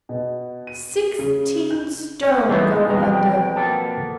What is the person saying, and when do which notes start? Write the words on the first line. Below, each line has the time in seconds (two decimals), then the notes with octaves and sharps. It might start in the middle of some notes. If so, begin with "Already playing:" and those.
Sixteen stone going under.
0.09 B2
0.67 D#7
1.19 C#3
1.71 G6
2.23 C#4
2.49 E3 A3 B3 D4 D#4 F4
2.88 F2 B2 E3 G#3 G5 A#5
3.56 A#3 B3 A4